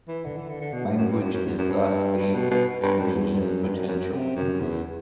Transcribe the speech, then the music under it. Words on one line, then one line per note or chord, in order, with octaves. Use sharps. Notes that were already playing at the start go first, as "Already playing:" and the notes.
Language is thus a "meaning potential".
E3
D3
E3
D3
D3
B2
G2
F#2
G2
F#2
F#2
E2
F#2
G2
G2
B2
B2
G2
F#2
E2
G2
F#2
G2
F#2
F#2
F#2
C3
F#2
E2